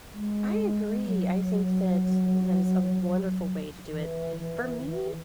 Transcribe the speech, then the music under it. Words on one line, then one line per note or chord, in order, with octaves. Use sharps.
I agree. I think that that is a wonderful way to do it. For me,
G#3
F#3
E3
E3
E3